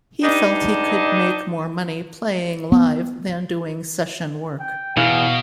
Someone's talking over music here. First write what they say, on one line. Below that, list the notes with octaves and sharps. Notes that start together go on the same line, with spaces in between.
He felt he could make more money playing live than doing session work.
G2 D4 D#4
B3
G5
E2 B2 F5